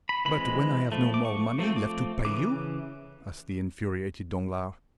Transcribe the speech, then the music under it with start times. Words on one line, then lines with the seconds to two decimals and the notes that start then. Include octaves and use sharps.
"But when I have no more money left to pay you?" asked the infuriated Danglars.
0.09 B5
0.25 E3 G#3 C4 B5
0.92 F3 A3
1.14 D6
1.25 C#6
1.58 F3 A3 C4
1.76 D6
2.25 C#3 E3 D6